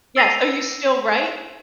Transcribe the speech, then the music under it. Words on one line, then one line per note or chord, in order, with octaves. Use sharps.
Yes, so you still write?
E6 A6 A#6 C7 D#7 F7